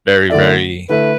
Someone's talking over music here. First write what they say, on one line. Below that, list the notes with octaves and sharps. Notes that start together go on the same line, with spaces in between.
very, very
D3 A3 E4 A4 D5 E5
D3 A3 E4 A4 B4 E5